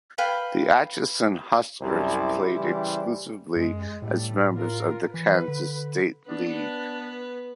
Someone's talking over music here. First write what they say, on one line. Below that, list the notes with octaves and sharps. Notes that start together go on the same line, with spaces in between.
The Atchison Huskers played exclusively as members of the Kansas State League.
B4 F5 G5 B5
C2 F#2 E4 G4 C5
C#3 E3 G3
F#2 G#3
A2 G3 A3
F4 A#4
E3 B4
D3
B3 D4 B4